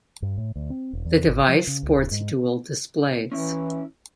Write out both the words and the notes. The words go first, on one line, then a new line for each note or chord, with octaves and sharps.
The device sports dual displays.
G2
A2
D2
C4
E1
E2
G#1
F3
C#3
C#2
D1
G#2
E3 C#4 E4